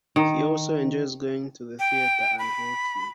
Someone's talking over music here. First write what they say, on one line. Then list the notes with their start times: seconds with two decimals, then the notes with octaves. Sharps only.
He also enjoys going to the theatre and walking.
0.16 D#3
1.79 G5
2.39 B5